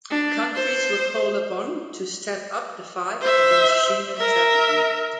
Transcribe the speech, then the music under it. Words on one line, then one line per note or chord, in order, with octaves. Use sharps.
Countries were called upon to step up the fight against human trafficking.
D4
C5
C5 E5
A#4 E5